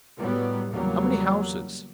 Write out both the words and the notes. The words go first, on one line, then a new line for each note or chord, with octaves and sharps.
How many houses?
A2 F#3 G3 B3
E2 C#3 F#3 G3 A#3